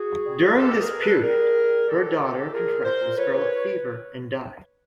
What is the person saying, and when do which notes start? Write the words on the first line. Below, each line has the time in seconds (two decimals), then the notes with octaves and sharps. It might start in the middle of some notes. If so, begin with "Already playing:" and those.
During this period, her daughter contracted scarlet fever and died.
Already playing: F#4 G#4
0.08 G3
0.25 G3
0.41 B2
0.57 B2 G4 A4
0.74 B2
0.79 G#4 A#4
0.90 B2
1.01 A4 B4
1.06 G3
1.22 G3 G#4 A#4
1.38 A#2
1.55 G3
1.71 A#2
1.87 G3 G4 A4
2.04 A#2
2.20 A#2
2.36 G3
2.52 A#2 G#4 A#4
2.68 A#2
2.84 A#2 A#4 C5
3.01 A#2
3.17 F3 B4 C#5
3.34 A#2